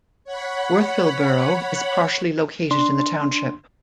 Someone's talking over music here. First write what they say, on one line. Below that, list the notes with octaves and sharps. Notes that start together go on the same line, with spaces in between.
Worthville Borough is partially located in the township.
C#5 F#5 B5
D4 C6